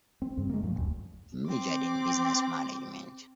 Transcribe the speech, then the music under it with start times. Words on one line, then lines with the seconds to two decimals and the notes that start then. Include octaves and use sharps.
He majored in business management.
0.22 C4
0.37 G2 C#3
0.49 G#3 A#3
0.63 G2 A#2 F3 F#3
0.75 F1 D2
1.48 C4 D6